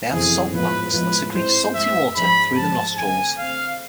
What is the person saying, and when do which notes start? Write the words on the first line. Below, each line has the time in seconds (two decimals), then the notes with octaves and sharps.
They have salt glands that secrete salty water through the nostrils.
0.11 F2 C3 E3 B3 G#4
0.52 A2 F3 G#3 B3 F4 B4
0.92 A2 F3 G#3 B3 F4 B4
1.33 G#2 G#3 C4 E4 C5
1.74 G#2 G#3 C4 E4 E5
2.15 G#2 F3 G#3 D4 B5
2.56 G#2 F3 G#3 D4 A5
2.97 D3 A3 C4 G#5
3.38 D3 A3 C4 F5